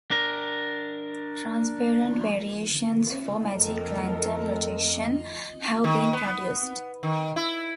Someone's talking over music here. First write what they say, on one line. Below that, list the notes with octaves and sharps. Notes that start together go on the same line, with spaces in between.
Transparent variations for magic lantern projection have been produced.
D4 A#4
F2 F3 A3 A4 A#4 D#5
D#3
B3
D#3
E4